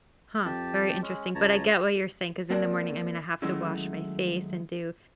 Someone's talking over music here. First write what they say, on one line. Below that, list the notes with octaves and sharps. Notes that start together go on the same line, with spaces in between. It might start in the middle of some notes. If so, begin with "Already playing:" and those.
Huh, very interesting, but I get what you're saying 'cause in the morning I mean, I have to wash my face and do
F2 G4 A5
G#3 C#4
C#2 C#5 A5 A#5
A#3 C4 A#4 D5 F#5 A5
D#3 F#3 G#3 A3 C#4 E4